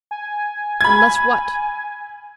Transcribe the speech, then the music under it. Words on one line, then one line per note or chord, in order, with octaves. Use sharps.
"Unless what?"
G#5
B5 G#6